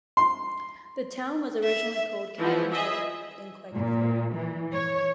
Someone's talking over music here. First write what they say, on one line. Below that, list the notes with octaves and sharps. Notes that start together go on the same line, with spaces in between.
The town was originally called "Catlins River", then "Quakerfield".
C6
E5
E3 F3 B3
G#4 D#5 E5
A#2
E3
C#5